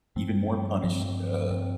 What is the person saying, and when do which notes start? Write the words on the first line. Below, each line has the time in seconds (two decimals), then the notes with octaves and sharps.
even more punished, uh,
0.16 G2 F3 C4
0.83 G2 F3 C4
1.50 G2 F3 C4